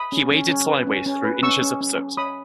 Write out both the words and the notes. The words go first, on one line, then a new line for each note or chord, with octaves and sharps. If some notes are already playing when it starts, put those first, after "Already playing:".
He waded sideways through inches of soot.
Already playing: B5 D#6
C#4
C#4
C#4
B4
C#4
C#4
B4
C#4 C#6 E6
C#4
C#4
C#4
C#5 B5 D#6